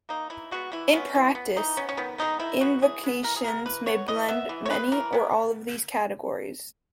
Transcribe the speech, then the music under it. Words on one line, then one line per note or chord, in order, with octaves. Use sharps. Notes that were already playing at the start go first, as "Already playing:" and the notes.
In practice, invocations may blend many or all of these categories.
A#3 D#4
E3 E4
G#3 B3 F#4
E3 E4
G#3 B3 C#4
E3
B3
E3 D#4
B3 C#4
C#4
D#3 B3
G#3 B3 D#4
D#3 E4
G#3 B3 F#4
E3 G#4
G#3 B3
E3 A#4
G#4
G#3 B3 A#4
E3 B4
B3 C#5
E3 D#5
B3 E5
E3
C#5
G#3 B3 B4
E3 A#4
G#3 B3